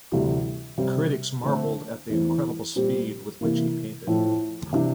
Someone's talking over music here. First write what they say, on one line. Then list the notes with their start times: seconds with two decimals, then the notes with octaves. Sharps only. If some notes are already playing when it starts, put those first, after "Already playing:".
Critics marvelled at the incredible speed with which he painted.
0.12 D2 C3 E3 G3
0.78 C3 G3 C4
1.44 D3 A3 C4
2.09 E2 E3 A3 C4 E4
2.75 A#2 G3 C4 G4
3.41 C3 E3 A#3
4.07 A2 F3 A3 E4 A4
4.73 C3 E3 G3 D4 G4